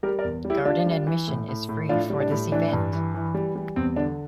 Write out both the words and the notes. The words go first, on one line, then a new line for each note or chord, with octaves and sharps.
Garden admission is free for this event.
G3 G4 A#4
A#4 D5
E2
G3
E4 G4
G3 D4 F4
G3
E3
A2
A2
A2
A2 D4 F4
G3
D4
A2
E3 D4
G2
E3
E3
G3
G3
E2 C4
D3 D4